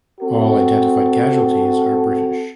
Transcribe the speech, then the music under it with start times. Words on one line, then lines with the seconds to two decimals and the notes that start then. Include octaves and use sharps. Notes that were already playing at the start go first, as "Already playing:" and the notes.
All identified casualties are British.
0.21 C4 F#4 A4